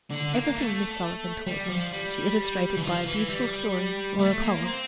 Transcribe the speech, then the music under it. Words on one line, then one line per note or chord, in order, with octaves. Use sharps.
Everything Miss Sullivan taught me she illustrated by a beautiful story or a poem.
D3
A#3
A3
G3
F3
G3
E3
F3
E3
G3
A3
A#3
C4